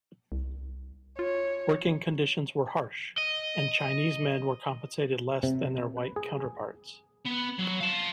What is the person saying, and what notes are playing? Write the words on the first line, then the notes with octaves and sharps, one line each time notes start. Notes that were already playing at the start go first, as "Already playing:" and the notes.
Working conditions were harsh, and Chinese men were compensated less than their white counterparts.
C2
F4 C#5
D#5
C3
B4
G#4
B3
F#3
F5 A5